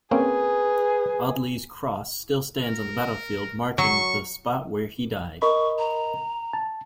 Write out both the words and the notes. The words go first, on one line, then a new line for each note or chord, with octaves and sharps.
Audley's Cross still stands on the battlefield marking the spot where he died.
A#3 C4 C#4 G#4 B4
A#4
F#3 C#6
A#4 D#5 B5 C#6
A#5
A5